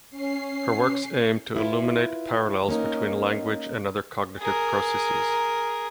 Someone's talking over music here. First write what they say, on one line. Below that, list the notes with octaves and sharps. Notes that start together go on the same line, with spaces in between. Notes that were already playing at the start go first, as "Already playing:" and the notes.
Her works aim to illuminate parallels between language and other cognitive processes.
C#4 C7
E4 F4 B4
A#3 C#4 D#4 A#4
G#4 A#4